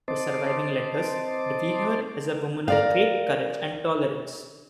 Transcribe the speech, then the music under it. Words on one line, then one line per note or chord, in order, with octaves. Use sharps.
Her surviving letters reveal her as a woman of great courage and tolerance.
C4 C5 D#5 A5 C6 D6
A#4 D5 F5